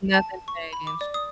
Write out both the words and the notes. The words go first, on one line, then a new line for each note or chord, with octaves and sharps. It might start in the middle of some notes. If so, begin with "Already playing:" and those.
Nothing changed.
A5
C#6
B5
D6
D5
D#6